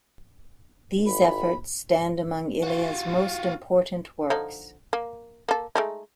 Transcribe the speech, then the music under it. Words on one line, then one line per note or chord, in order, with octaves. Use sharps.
These efforts stand among Ilya's most important works.
G#1 B5
F4 F#4
D3 F3 D#4
A#3
A#3 A4
G#3 A3 D#4